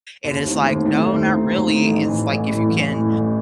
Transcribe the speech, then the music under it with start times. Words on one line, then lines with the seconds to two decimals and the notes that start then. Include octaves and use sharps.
and it's like, "No, not really," it's like, if you can
0.24 D#2
0.44 D#3 A3 C4 D#4
0.65 D#2
0.85 D#3 A3 C4 D#4
1.06 D#2
1.26 D#3 A3 C4 D#4
1.47 D#2
1.67 D#3 A3 C4 D#4
1.87 A1
2.08 A2 E3
2.29 A1
2.48 A2 E3
2.69 A1
2.90 A2 E3
3.10 A1